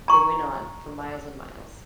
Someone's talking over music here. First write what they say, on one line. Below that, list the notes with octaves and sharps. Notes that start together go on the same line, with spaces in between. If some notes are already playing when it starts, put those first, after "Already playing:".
They went on, for miles and miles.
A#5 C#6